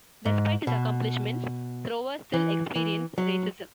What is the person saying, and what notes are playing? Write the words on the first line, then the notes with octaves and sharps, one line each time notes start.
Despite his accomplishments, Thrower still experienced racism.
G#2
B2
E3
E3
F#3